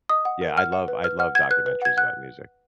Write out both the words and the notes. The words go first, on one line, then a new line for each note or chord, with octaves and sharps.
Yeah, I love I love documentaries about music.
D#5 D#6
F#5
A#4
F#5 F6
F#5
B4
B4 F6
F#5 F6
F#5 G#6
B4 F#6
B4
F#5 G#6
F#5 F#6